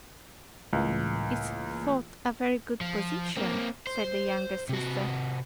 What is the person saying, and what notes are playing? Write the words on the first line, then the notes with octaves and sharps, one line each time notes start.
"It's thought a very good position," said the younger sister.
C#2 A2 E3 A#3
F3
A#3 C4
C5
C3 F#4